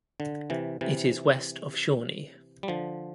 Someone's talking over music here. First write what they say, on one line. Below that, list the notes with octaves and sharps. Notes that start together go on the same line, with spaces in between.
It is west of Shawnee.
D3
C3 E3
C3 E3
G3
D3 F3